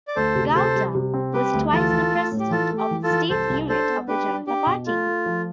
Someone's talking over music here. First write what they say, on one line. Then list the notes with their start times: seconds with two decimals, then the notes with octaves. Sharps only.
Gowda was twice the President of state unit of the Janata Party.
0.08 D5
0.16 D2 A4 C5
0.36 C3
0.55 C3 A4 C5
0.75 G3
0.95 C3
1.14 C4
1.34 G3 G4 B4
1.53 D2
1.72 E3 F4 A4
1.93 E3
2.12 A3
2.32 A2
2.39 G4
2.51 E3 F4 A4
2.71 A3
2.78 G4
2.91 E3
3.03 F4 A4
3.11 E3
3.30 C2 A4 C5
3.50 C2
3.69 D4 A4 C5
3.89 B3
4.08 D4 G4 B4
4.28 D4
4.47 D4 G4
4.67 B2
4.87 A3 F4
5.07 A3
5.26 F3